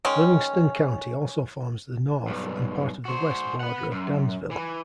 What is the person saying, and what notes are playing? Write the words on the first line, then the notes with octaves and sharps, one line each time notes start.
Livingston County also forms the north and part of the west border of Dansville.
D#3 G#3 C#4
B1 G2
F#4 C5
B4 F#5
F#2
E3